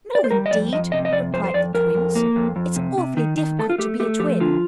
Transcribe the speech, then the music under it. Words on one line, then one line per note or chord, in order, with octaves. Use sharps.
'No, indeed,' replied the twins; 'it's awfully difficult to be a twin.'
D5
C5
G3 A#4
D#5
F2 D5
F2 D#5
C3 D#5
D#5
F2 D5
F2 C5
C5
F2 D5
F2 A#4
F2
A#3
F2
F2
C3
C3
D#3
D#3
A3 A4
F4
A3 G4
A3 G4
F3 G4
D3 F4